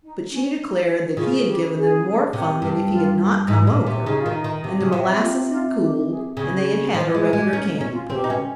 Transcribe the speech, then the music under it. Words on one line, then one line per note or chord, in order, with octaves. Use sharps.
But she declared that he had given them more fun than if he had not come over, and the molasses had cooled and they had had a regular candy pull.
D#4
C#4
D#4
C#3 F4
G4
G#4
C3
G2
F4
G#2 D#4
A#2
C#4
C3
C#3 D#4
F4
D#3
D#4
D#3
C3
C#3
C3
F4
F4
G4
G#4
C#3
F3 C5
C#5
G#3
A#4
G#3
G4
C#4 D#4
D#4
C#4
F4
C4 G4
D#4
C#4